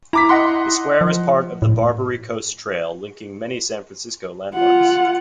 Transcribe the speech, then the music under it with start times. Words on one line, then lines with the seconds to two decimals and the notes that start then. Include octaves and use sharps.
The square is part of the Barbary Coast Trail, linking many San Francisco landmarks.
0.13 E4 A#5 D6 B6
0.29 D#5 F#5 C6
1.01 F3
1.62 A2
4.55 F4 F#5